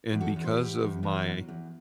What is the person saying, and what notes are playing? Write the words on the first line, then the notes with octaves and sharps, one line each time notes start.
and because of my
E2
F#4 A4
E2
C5
G4 B4
E2
E2
E2
F#3
E2